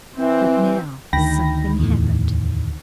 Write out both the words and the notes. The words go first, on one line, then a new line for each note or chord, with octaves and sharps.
But now something happened.
E3 C4
D2 D#3 G5 B5 A#6
E2 A2